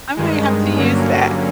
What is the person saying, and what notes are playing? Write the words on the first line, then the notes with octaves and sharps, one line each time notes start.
I might have to use that.
G2 D#3 G#3
G2 D3 F#3 A#3 C#4